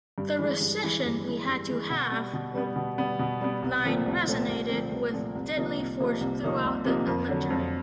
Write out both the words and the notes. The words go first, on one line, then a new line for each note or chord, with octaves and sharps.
"The recession we had to have" line resonated with deadly force throughout the electorate.
G2
E3 G#3
G2
E3 G#3
G2
E3 G#3
G2
E3 G#3
B2
G3 B3
B2
G3 B3
B2
G3 B3
B2
G3 B3
C2
A#2 F3 A3 C4
C2
A#2 F3 A3 C4
C2
A#2 F3 A3 C4
C2
A#2 F3 A3 C4
C2
C3 F3 A#3 D#4
C2
C3 F3 A#3 D#4
C2
C3 F3 A#3 D#4
C2
C3 F3 A#3 D#4
F2
D3 F#3
F2